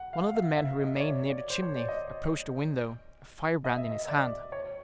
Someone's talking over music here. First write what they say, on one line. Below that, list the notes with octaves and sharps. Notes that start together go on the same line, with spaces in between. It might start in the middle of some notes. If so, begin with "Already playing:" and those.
One of the men who remained near the chimney approached the window, a firebrand in his hand.
Already playing: F#5
F5
E5
F5
E5
D#5
D5
C#5
D5
C5
C#5
D5
D#5
D#5
E5
D#5
D5
C#5